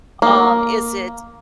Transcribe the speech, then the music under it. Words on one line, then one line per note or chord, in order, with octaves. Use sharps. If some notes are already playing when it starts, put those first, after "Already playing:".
Um, is it
A#3